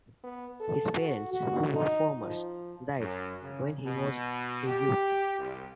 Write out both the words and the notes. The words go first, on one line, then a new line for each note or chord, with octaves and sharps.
His parents, who were farmers, died when he was a youth.
B3
A4
F#4
F#4
D#4
F3
F#2
C#3
B2
G4
C2